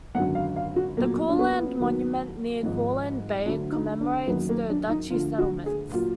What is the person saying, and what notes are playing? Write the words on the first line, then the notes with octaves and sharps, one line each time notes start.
The Courland Monument near Courland Bay commemorates the Duchy's settlements.
G#1 F#2 D3 F#3 F#5
F5
F5
F#4
B1 A#2 F#3 A#3
D4
B3
D#2 D#3 F#3
G#1 G#2 F3
D2 D3 F#3 D4
D#4
D4
F#1 F#2 D#3 F#3 B3
A#3
D4
D#4
D2 D3 F3 F4
F#4
G#4
A#2 F#3 F4